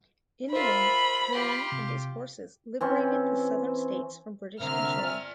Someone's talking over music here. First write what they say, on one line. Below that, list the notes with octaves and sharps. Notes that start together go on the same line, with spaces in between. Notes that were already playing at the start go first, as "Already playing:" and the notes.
In the end, Greene and his forces liberated the southern states from British control.
F4 A#4 C5 E5 B5
F4 G4
C3
E3 C4 C#4
C2 D3 C4 A#4 E5 F6
D5 G#5